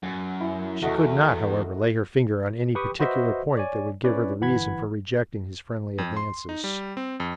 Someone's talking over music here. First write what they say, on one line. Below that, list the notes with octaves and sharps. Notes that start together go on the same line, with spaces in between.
She could not, however, lay her finger on any particular point that would give her the reason for rejecting his friendly advances.
F#2 G#5
E4
E2 A3 F#4 D#5
G4 B4 G5 B5 C#6 D#6
F#4 B4 C5 D#5 E5
C#5 D5 G#5
C#4 E4 B4 C#5 D5
G1 E3 F#5 B5 G#6
F2
C6
D#4
G3
C4
F2